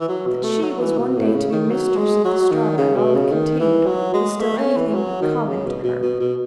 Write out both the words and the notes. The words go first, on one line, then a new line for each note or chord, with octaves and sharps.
That she was one day to be mistress of the Strata and all it contained was still anything but "common" to her.
E3
F#3
B2
A3
F#3
E3
B2
A2
C#3
D#3
F#3
G#3
F#3
D#3
C#3
B2
C#3
D#3
E3
F#3
G#3
A3
C#4
E3
F#3
D#3
C#3
B2
B2
B2
B2